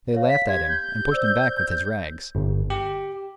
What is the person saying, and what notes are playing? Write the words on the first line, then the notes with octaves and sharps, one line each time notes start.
They laughed at him, and pushed him back, with his rags.
C#5 F5
B6
G4 G#6
G6
C5 D5 E6
G1
G4